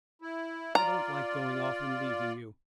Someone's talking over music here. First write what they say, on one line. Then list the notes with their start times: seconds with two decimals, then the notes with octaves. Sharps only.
"I don't like going off and leaving you."
0.22 E4
0.75 F4 D5 A#5